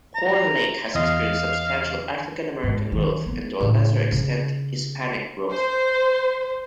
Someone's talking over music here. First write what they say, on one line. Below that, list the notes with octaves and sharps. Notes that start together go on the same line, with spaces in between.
Horn Lake has experienced substantial African-American growth and to a lesser extent Hispanic growth.
A#5
E2 D#5 F5
G#2
D#3
B3
A2 C#3
C#3
C5